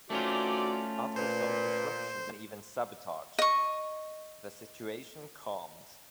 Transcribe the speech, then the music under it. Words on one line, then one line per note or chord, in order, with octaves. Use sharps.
After some disruption and even sabotage, the situation calmed.
D#3 A3 C4 C#4 F4 F#4 D5
A#2 B4 C5
D#5 C#6